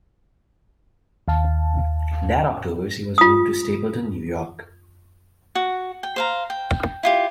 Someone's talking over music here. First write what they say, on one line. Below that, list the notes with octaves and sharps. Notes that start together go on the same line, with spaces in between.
That October, she was moved to Stapleton, New York.
D#2 F5 A5
F4 D#6
F#4
G5
C5 F5 A#5
G5
E4 F4 G4